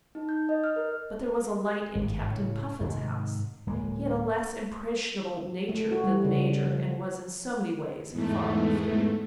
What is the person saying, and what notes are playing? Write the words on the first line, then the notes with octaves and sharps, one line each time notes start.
But there was a light in Captain Puffin's house: he had a less impressionable nature than the Major and was in so many ways far inferior.
D#4
G6
D#5
F6
A#4
G#1 G2
A2 C#3
G#2 C3 D#3
D1 G#3 A#3
A3
F#4
G3
C#3
F3
E2 G#2 A3